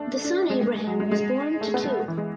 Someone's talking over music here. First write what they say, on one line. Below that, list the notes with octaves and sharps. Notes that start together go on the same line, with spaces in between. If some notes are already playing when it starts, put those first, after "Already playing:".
The son Abraham was born to two.
Already playing: A3 D4
D4
G#3
F#3
G#3
G#3
A3
B3
G#3
E3
G#3